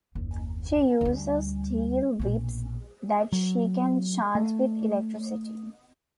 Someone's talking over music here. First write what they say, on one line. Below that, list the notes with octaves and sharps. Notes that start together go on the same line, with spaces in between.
She uses steel whips that she can charge with electricity.
F#1 D#2
D2 G3
A#1 B2
F#3
A3